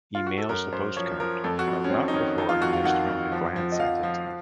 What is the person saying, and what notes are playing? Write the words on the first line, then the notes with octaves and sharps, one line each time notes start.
He mails the postcard, but not before he has thrown a glance at it.
F4
F#4
A4
F#2 A#4
F#2 C5
F3 C#5
F3 A#4
F2 A4
F#4
F2
C#4
F2 C4
D#4
D#3 C#4
F2 D#4
F4
F2 F#4
F5
D#3 F#5
F2
F3
F3
D#5
F3 F5
F3
F3